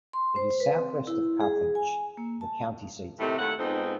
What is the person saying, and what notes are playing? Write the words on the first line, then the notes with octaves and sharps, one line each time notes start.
It is southwest of Carthage, the county seat.
C6
C5
B4
C4
E4
G#4
G#5
A#3
A5
A2 C3 D#3 A3
D#2 A3 E4 F#5
F2 G#2 B3 C4 D#4